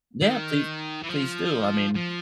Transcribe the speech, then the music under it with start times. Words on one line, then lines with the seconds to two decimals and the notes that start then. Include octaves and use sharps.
Yeah, please please do. I mean
0.22 D#3
1.03 E3
1.09 F3
1.95 F3